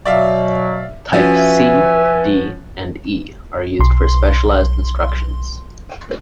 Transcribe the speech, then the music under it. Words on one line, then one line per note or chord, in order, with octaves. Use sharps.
Types C, D and E are used for specialized instructions.
B2 F#3 D5 E5 F5
F3 C#4 F#4 B4 E5 G#5
B1 C6